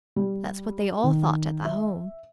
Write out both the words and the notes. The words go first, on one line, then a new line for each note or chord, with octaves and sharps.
That's what they all thought at the Home.
G3
D#3
E5